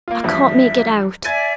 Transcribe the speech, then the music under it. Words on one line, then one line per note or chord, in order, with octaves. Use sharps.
I can't make it out.
A#3 F4
E2 G2 F3 E5
D5 E5 G#5 G#6 A6 D#7